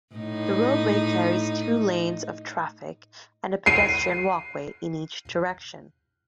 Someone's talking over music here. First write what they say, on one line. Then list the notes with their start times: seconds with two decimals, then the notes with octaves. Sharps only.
The roadway carries two lanes of traffic and a pedestrian walkway in each direction.
0.15 A2 D#4
3.66 C7 D#7